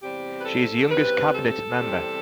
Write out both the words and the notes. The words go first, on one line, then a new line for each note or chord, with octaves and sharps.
She is the youngest cabinet member.
E2 C3 G3 C4 G4
B4
A4
E2 C3 G3 C4 B4
A4
E2 C3 G3 C4